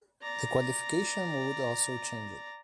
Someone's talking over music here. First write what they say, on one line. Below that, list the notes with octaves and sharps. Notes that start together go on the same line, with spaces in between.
The qualification mode also changed.
D5 A#5